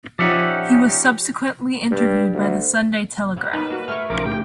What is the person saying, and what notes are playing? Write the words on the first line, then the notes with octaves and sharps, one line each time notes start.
He was subsequently interviewed by the "Sunday Telegraph".
F3 C#4 D#4 G4 D5 E5 F#5
G2
D2
F#3 G3 A#3
B2 D#4 A#4 B4 A5
A#3 F#4
A3 G#4 A#4 C#6 F6
B1 C#3 F3 A#4 D6
A2 G4 G5